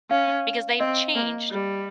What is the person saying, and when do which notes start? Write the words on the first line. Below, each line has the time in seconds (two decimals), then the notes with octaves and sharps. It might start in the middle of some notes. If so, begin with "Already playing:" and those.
because they've changed
0.10 C#4 F5
0.80 C4 D#5
1.15 A#3
1.50 G3